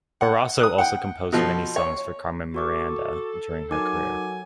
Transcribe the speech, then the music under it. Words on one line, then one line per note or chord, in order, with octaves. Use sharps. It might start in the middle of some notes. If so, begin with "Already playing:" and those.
Barroso also composed many songs for Carmen Miranda during her career.
F#5
D#6 F#6
F#5 G5
B2 F3 A4
C#5
F#4 A4 C#6 D6
F#3 D#4 A#4 G#5 D6